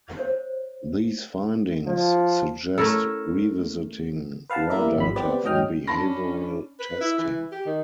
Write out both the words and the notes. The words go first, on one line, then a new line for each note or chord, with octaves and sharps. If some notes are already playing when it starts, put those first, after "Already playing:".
These findings suggest revisiting raw data from behavioral testing.
C5 C#5
F3 D5
A3 C#4 E4 A4 A#4
B4 F5 F#5 A5
G3 A#3 E4 A#4 D5 E5
G#1 F2 G3 B5
B3 C4 G4 B4 D5
G#2 F#3 C#4 D#5 G5 F6
C#4 D4 A5 B5 A#6
B4
E4
E3
G4
D#3